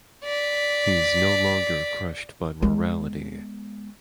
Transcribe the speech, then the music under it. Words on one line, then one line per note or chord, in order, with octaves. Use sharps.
He’s no longer crushed by morality.
D5 B6
G#3 B3